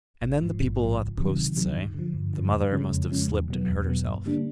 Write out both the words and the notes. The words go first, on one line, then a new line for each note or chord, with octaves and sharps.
And then, the people at the Post say, the mother must have slipped and hurt herself.
A1
G#2 F3
A1
G#2 F3
C#2
C3 D#3 F#3
C#2
C3 D#3 F#3
G2
D3 F3
G2
D3 F3
F2
C#3 F3 G#3 C#4
F2
C#3 F3 G#3 C#4
E2
B2 F#3 B3
E2
B2 F#3 B3
G2
D3 G3 A#3 D4